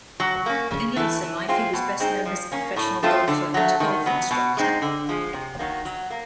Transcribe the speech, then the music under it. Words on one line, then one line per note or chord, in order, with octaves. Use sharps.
In later life, he was best known as a professional golfer and golf instructor.
F#3
A#3 C#4
C#3
E3 A3
E3
G#3 C4 F4
B2
G#3 C4 D#4
F3
A#3 C#4
A2
F3 A3 C4 F4
D3
F#3 A3
D#3
F#3 B3
B2
G#3 C4 D#4
D3
F3 G#3
C3
D#3 F#3 A#3
F#3
A#3